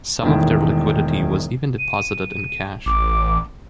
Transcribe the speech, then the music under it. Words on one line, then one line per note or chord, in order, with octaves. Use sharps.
Some of their liquidity was even deposited in cash.
E1 A2 D#3 E4
D#7
A1 D6